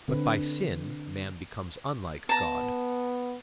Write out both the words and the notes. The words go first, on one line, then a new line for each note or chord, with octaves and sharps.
But by sin man becomes unlike God.
D3 C4 D4 B4
B3 A5 A#5